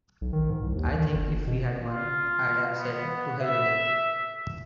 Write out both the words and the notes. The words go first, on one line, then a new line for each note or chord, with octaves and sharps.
I think if we had won, I'd have said, 'To hell with it'.
B1
D#3
G#2
C2
D#2
D#3
G1
F#1
B2
F4
B3
E5